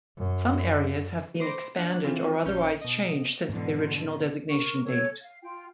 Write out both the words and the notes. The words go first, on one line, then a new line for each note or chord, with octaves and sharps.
Some areas have been expanded or otherwise changed since the original designation date.
F#2
B4 C5 C6 D6 A#6
D4 F#6
E3 C4 F4
A#1 C#4 C#5 G6
B2 D#5
E2 G#2 B2 D3 E3
A#4 C#6
A4 C#5
F5
F4 G5